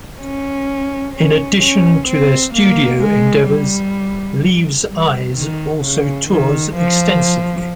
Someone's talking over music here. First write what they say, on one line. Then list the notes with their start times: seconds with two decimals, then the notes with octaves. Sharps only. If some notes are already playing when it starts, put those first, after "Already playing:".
In addition to their studio endeavors, Leaves' Eyes also tours extensively.
0.20 C#4
1.14 C#4
1.61 C#4
2.07 C4
2.54 A#3
3.01 G#3
3.48 G3
4.88 G3
5.35 D#3
5.81 C#3
6.29 D#3
6.76 F3